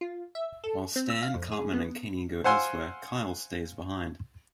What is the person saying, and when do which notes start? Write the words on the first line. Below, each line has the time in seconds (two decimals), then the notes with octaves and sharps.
While Stan, Cartman and Kenny go elsewhere, Kyle stays behind.
0.01 F4
0.35 E5
0.64 A4
0.96 C4
1.10 E6
1.23 F5
1.35 F2
1.51 G#4
1.73 B3
2.44 C5 F5 F#5 G#5 C6 E6